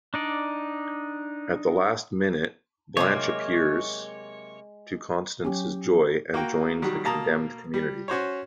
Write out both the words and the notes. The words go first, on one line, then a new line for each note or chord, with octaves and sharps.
At the last minute, Blanche appears, to Constance's joy, and joins the condemned community.
D4 D#4 D5
C3 F#3 G#3 A#3 C#5
F#3 C#4 G4
A#3 F#4 G5
D#3 F#3 G3
B2 A#3 A5 A#5 D#6
G3
C#4 F#4 C5 C#5